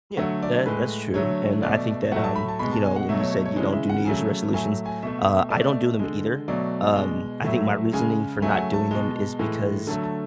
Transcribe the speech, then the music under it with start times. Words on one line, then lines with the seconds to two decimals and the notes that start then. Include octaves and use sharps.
Yeah. That i that's true, and I think that, um, you know, when you said you don't do New Year's resolutions, uh, I don't do them either. Um, I think my reasoning for not doing them is because
0.17 D3 F#3 A3 F#5
0.42 D5
0.66 A2 G#3 B4
1.14 D3 F#3 A3 C#5
1.63 B2 A3 D5
2.12 A2 F#3 A3 F#5
2.24 A5
2.36 B5
2.48 A5
2.59 B2 G#3 B5
2.72 A5
2.84 G#5
2.96 F#5
3.09 B2 F#3 A3 E5
3.20 C#5
3.32 C#5
3.45 C#5
3.56 C#3 E3 G#3 C#5
3.73 E5
3.89 F#5
4.05 C#3 F#3 A3 G#5
4.54 A2 F#3 A3 G#5
4.86 G#5
5.02 B2 A3 E5
5.50 B2 A3 D5
6.00 D3 G#3
6.48 B2 F#3 A3 D5
6.96 B2 G#3
7.44 A2 F#3 A3 E5
7.93 C#3 G#3 G#5
8.42 C#3 F#3 A3 G#5
8.51 F#5
8.57 G#5
8.73 A5
8.91 B2 G#3
9.39 A2 E3 G#3
9.87 D3 F#3 A3 A5
10.03 A5